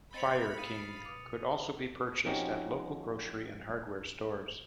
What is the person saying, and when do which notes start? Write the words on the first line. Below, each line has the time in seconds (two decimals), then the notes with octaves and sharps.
Fire-King could also be purchased at local grocery and hardware stores.
0.14 C4 C5 D#5 B5 A6 C#7 F7
0.58 F5 D#6 D#7
1.05 B2 D6
2.25 F3 C4 C#4 D#4 F#4 G4